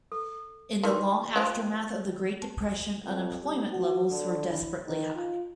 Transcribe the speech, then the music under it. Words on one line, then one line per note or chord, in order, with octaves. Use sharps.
In the long aftermath of the Great depression unemployment levels were desperately high.
A4
D#3 E3 C6
F3 D#5 G5 B5
A5
F2
G3
F#4
D3
E4
D#3
F4